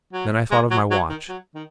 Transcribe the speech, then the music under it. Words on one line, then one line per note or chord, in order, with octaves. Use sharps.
Then I thought of my watch.
F#3
G#3
F#3
F#3
D#3
F#3
D#3